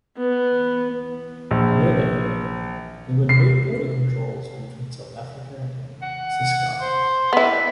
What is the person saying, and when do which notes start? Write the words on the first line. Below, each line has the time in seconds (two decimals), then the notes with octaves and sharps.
However, there were no border controls between South Africa and Ciskei.
0.17 B3
1.51 A#1
3.29 C7
6.02 F#5
6.80 C5
7.33 B3 E4 B4